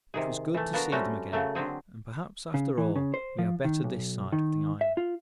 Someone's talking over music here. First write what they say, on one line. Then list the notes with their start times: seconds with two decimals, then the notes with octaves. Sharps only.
It was good to see them again, and perhaps after all we are better this side of the Island.
0.14 C3 D#3 G#4
0.54 E3 A3
0.73 A#3 B3 D4 F#4 A#4 A#5
0.92 F#3 G3 A3 C4 C#4 F#4
1.32 C#3 F#3 A3 A#3
1.55 D3 F#3 C4 G#4
2.54 C#3
2.78 E3
2.96 C#3
3.14 C5
3.39 F3
3.65 D#3
3.84 B1
4.32 D#3
4.81 E5
4.97 F4